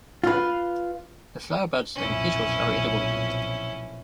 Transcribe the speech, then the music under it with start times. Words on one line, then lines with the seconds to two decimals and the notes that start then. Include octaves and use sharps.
The flower buds and petals are edible.
0.24 F4 B4
1.95 B1 F2 A#2 C#4 E4